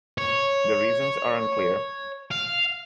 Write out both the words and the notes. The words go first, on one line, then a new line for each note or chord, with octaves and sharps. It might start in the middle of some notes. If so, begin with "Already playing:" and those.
The reasons are unclear.
C#5
F5